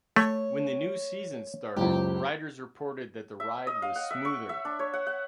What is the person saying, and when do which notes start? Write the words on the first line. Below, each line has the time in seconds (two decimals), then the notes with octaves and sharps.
When the new season started, riders reported that the ride was smoother.
0.16 A3 C#5
1.76 F#1 C#2 G4
3.40 E5
3.67 D#5
3.82 F5
3.96 F#5
4.11 E5
4.25 C#6
4.49 E5
4.65 D4
4.79 C#5
4.94 F#5
5.07 F#5